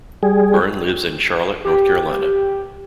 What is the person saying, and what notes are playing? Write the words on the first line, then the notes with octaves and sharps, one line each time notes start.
Byrne lives in Charlotte, North Carolina.
G3 G#4
G4